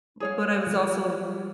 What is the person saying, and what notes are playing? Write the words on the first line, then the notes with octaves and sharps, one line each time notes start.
but I was also,
G#4 C#5 F5
F3 G3